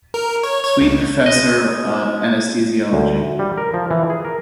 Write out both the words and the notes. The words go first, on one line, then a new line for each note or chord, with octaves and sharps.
Sweet Professor of Anesthesiology.
A#4
C#5
C#5
C#2
B2 G#3 C#4 D#5
D2
G3
A#4
F3
E3
G#4
A#4